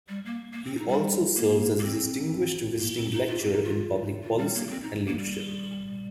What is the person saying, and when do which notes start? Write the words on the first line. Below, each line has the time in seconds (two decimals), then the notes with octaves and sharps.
He also serves as a Distinguished Visiting Lecturer in Public Policy and Leadership.
0.09 G3
0.25 A#3
0.53 A#3
0.65 C4
0.77 D#4
0.88 G3
1.36 A#3
1.79 A#3
1.84 C4
2.80 A#3
2.96 C4
3.12 D#4
3.28 F4
3.40 G4
3.46 C4
3.52 D#4
3.63 F4
4.23 F4
4.38 G3
4.55 A#3
4.67 A#3
4.71 C4
4.82 D#4
5.07 A#3
5.19 G3